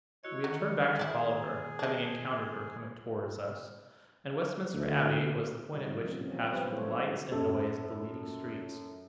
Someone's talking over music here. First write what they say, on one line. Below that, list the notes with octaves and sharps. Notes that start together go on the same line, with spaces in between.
We had turned back to follow her, having encountered her coming towards us; and Westminster Abbey was the point at which she passed from the lights and noise of the leading streets.
E4 F#4 C#5 D#5
D#3 F#3
G#4
E4 D5
G#3 D4
D2
C3 G3 F#4 D5 D#5
E3 F3 C4 C#4
F3 A#3 C4 C#4
F#3 B3 G4 B4 C5
G#3 E4 A4 C5 C#5
C#4 F#4
F#2 A4